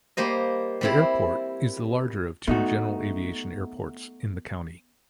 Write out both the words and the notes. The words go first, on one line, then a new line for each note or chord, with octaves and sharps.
The airport is the larger of two general aviation airports in the county.
G3 A#3 C5 D#5
G3 C4 E4
A3 B3 D#4 F#4